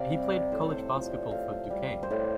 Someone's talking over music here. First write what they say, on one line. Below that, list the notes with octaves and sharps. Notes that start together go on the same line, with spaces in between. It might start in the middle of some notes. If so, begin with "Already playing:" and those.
He played college basketball for Duquesne.
Already playing: C3 D5 F5
G3
A2 C5
A4
C5
F3 A3
A2 F5
G3
C5
A2 D5